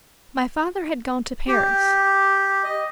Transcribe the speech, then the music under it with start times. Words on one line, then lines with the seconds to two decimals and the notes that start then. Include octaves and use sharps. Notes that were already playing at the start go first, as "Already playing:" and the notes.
My father had gone to Paris.
1.48 G4
2.64 D#5